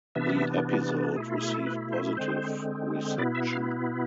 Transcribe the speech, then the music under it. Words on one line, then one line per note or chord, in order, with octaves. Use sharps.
The episode received positive reception.
C3 E3 B3 D4 E5
B2 A3 E4 G#4
F4
G#4
A4
B4
C5
D3 G#3 C4 C5
B2 B3 E4 D5
E5
F5